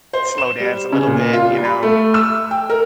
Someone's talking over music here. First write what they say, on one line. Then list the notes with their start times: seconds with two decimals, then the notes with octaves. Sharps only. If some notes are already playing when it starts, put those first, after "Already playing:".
slow dance a little bit, you know,
0.13 C5
0.38 E7
0.60 G3
0.93 C#3
1.07 A#2
1.33 F4
1.49 G3
1.65 B5
1.83 A3
2.14 E6
2.51 G5
2.70 A#4